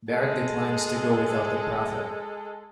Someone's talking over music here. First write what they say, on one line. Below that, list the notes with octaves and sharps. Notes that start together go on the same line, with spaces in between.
Barak declines to go without the prophet.
G#3 A4